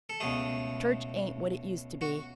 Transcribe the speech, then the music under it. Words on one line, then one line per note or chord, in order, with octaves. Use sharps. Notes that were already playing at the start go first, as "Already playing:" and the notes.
Church ain't what it used to be.
A4
C#2 B2 A3 G#4
F#4